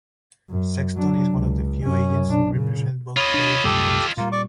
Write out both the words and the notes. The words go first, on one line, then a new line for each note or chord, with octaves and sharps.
Sexton is one of the few agents to represent both players and coaches.
F#2
F#3 D4
C#2
F#2 C#4
B1 D4
A#2 C#3
F4 C#5 D#5 B5 D#6
D4
C2 F#2 A3 G4 A4
A#2 G3 A#3 F4
D5 C#6 D6